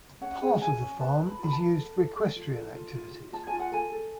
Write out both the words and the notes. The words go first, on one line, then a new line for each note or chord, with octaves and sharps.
Part of the farm is used for equestrian activities.
C#4 F#5
G#4
G#4 G#5
C#4
B4 A5
B4
B5
F4 B5
A5
B4
A4
A4
A4
F4
A4
F4
F4
F4
F4 A5
G#5
F4
F#5
A4 G#5
A4